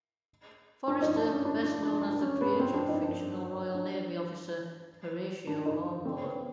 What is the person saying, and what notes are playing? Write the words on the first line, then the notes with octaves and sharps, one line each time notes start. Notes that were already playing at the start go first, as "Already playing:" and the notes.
Forester, best known as the creator of fictional Royal Navy officer Horatio Hornblower.
D4
D#4
D4
C#4
D4
D4
D4
D4
C#4
B3
C4
D4
D#4
D4
D4
D4
D#4
C4
B3